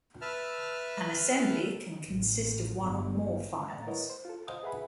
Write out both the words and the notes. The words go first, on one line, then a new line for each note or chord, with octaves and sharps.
An assembly can consist of one or more files.
B4 E5 A5 F6
A1
G1
A2 F#5 A#5 A6
E4 A#4 B4 C#5 D#5
C5
F4 A4
C5 D#5 F5 D#6
G#4 B4 E5 F#5 G#5 B5